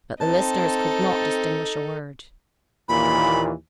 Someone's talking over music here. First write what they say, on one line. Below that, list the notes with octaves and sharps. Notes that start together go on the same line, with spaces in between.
But the listeners could not distinguish a word.
C4 D#4 A4 A5
D#2 A#2 E3 B5